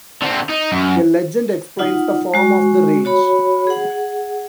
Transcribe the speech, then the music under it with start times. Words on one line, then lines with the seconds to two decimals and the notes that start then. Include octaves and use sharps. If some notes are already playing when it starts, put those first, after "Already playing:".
A legend explains the form of the range.
0.22 D3 C4
0.49 D#4
0.72 F#2
1.79 D#4 F4 F#5
2.34 G#3 F#4 C#6
3.05 F#4 C#5 B5
3.67 G#4 F#5